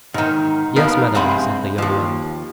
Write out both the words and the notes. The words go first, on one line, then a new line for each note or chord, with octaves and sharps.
"Yes, madame," said the young man.
G#2 D#3
F2 F3 B3 D#4 A#4 F5
C2 G2 G#3 C4 B5
D#2 F3